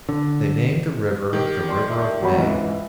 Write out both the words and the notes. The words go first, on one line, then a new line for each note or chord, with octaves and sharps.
They named the river the River of May.
D3
D#3 G4
D5 C6
A3
G#1 F#3 F#4 B5
C#2 G#2 E3